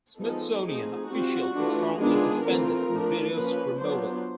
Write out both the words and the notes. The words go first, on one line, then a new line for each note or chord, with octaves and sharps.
Smithsonian officials strongly defended the video's removal.
F3 G#3 B3 D#4 A4
F3 A3 C4 D#4 G#4
G3 C4 F4 F#4
E3 A3 D4 F4
D#3 G#3 B3 D4 F4 G#4
E3 A3 C4 F4 A#4
F3 A3 D4
F3 A#3 C#4 B4
F#3 B3 D4 F4 C5